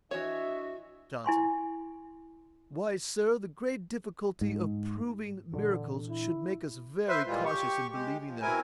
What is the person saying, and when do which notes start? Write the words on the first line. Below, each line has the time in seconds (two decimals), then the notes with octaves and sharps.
JOHNSON. 'Why, Sir, the great difficulty of proving miracles should make us very cautious in believing them.
0.11 E3 D4 F#4 C#5 D#5 E5
1.24 E4 G#5 C6 C#6
4.41 G#2
5.53 A#2 D3 E3 D4
6.09 E4
7.08 B4 C5 E5 C6
7.27 A#2 E3 G3 G#3 F4
7.45 G4 C#6
7.92 G#3 G4
8.26 F3
8.41 B2 C4 E4 A#4 G#5